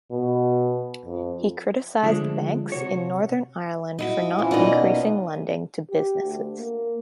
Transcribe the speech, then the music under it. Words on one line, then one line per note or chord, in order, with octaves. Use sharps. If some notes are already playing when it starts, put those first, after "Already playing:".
He criticised banks in Northern Ireland for not increasing lending to businesses.
B2
F2
D3 F3 G#3 A3 D4
C3 F#4 C#5
D#4 E4 F#4
E3 F3 C#4
B2 A#3 B3 D#4 D5 D#5
G4
D2
A#3